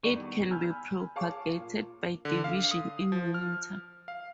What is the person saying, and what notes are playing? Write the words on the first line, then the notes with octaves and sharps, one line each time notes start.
It can be propagated by division in winter.
E2 D#3 G3 D5 C#6 D#7
G#5 B5 E6 F6 G6 G#6
G#4 C#5 F5 A5 C#6 D6
A#2
D3
F5
D#6
F3
F6
F5